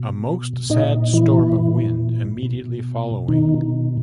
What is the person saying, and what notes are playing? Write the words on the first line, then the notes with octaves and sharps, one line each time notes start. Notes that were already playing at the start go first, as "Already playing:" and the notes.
A most sad storm of wind immediately following.
Already playing: B2
A#2 D#4 D#5
E3 E4
A#2
B2
B2 D#3 D#4